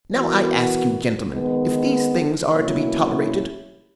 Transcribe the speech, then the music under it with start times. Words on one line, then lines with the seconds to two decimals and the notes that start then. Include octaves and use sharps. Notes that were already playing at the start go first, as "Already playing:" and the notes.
Now I ask you, gentlemen, if these things are to be tolerated?
0.13 E3 B3 F#4 A#4
1.33 D#3 G#3 B3
2.52 B2 F#3 A#3 C#4 E4